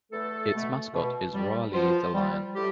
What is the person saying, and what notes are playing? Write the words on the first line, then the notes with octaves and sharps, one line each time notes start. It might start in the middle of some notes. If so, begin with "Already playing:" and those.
Its mascot is Rah-Lee the Lion.
E2 A3 A4
B2 A3
B2
G3
B2 F3 F4
G3
A2 G3 G4